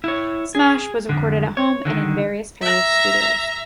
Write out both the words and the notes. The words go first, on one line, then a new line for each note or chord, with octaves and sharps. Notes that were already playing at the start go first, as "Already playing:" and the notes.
"Smash" was recorded at home and in various Paris studios.
E4 C#5
G#4
F2 D3
C#5
D3 D#3
E5 A#5